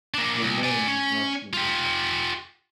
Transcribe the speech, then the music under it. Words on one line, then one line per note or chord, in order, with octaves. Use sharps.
The name is not unique.
A#3 D4
C2
D5 G#5
C#4
F4 G4